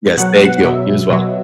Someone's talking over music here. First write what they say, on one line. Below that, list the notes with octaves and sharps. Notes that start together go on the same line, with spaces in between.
Yes, thank you. You as well.
B2 F#3 F#5
F#5
B2 F#3 E5
B2 F#3